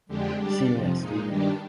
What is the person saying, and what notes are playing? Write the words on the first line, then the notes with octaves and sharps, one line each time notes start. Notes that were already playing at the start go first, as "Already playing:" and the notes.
See you next year.
F2 D3 G#3 D4 G4
G3 D4 G4 D5
F2 C3 F3
A#2 G#3 D#4
G2 D#3 G3 D4 G4